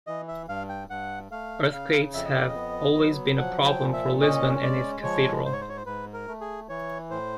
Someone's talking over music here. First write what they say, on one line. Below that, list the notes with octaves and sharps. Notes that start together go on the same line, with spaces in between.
Earthquakes have always been a problem for Lisbon and its cathedral.
E3 D#5
E5
G2 F5
G5
G2 F#5
A3 F5
C#3 F5
F2 E5
D#5
D5
D#5
B3
F#3
F3 F#5
G5
A#2
E5
C#4 D#5
G#3 D5
F3 C#5
G#2 C5
C#5
C5
C#5
C5
G#2 B4
A#4
A3
G#4
E3 C#5
A2 C5